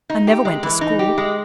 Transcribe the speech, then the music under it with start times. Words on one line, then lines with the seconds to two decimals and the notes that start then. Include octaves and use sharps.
I never went to school.
0.10 D#4
0.27 G4
0.45 G#3
0.63 E3
0.81 D#4
0.99 G4
1.18 G#3